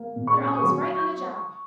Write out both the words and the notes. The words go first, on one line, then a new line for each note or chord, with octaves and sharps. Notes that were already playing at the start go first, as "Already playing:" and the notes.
They're always right on the job.
Already playing: A#3
A#2
C#6
C#4
D#6
F#3 C#6